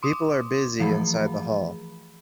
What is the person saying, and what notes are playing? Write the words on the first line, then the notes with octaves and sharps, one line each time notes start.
People are busy inside the hall.
C6 D6 D#6
E3 F3 A3 G#4 B5